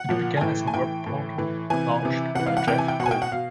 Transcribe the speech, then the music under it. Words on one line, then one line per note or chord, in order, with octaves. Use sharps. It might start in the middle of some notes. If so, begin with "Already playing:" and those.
It began as a web portal launched by Jeff Gold.
Already playing: F#5
A#2 F3
G#5
A2 E3 G5
G#5
A2 E3 G5
A2 E3
A2 E3
C3 E3 G#5
C3 E3
C3 E3 F#5
F5
F#5
C3 E3 G5
G#5
G5
B2 F#5
G#5
G5
F#5
B2 F5